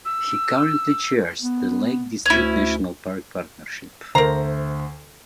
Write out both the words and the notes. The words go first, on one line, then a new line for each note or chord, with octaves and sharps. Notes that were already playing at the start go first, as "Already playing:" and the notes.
He currently chairs the Lake District National Park Partnership.
E6
B3
D2 C#4 E4
D2 A#4 C5 A#5 C7